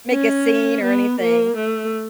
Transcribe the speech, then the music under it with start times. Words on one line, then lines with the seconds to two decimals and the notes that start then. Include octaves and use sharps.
Make a scene or anything.
0.10 C#4
0.83 B3
1.19 A#3
1.56 A3